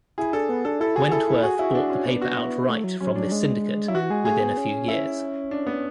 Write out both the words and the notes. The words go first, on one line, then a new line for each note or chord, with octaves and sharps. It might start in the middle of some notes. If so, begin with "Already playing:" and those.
Wentworth bought the paper outright from this syndicate within a few years.
E4 G#4
D4 A4
B3
D4 A4
E4 A4
F#4 G#4
F#4
E4 A4
E4
F#4 G#4
E4 F#4
D4
C#4
B3 D4
F#4
E4
A3
F#3
F#3 C#4
F#3 D4
F#3
G#3
F#3 E4
E3 F#4
G#3 G#4
A3 G#4
B3
C#4
E4
D4
B3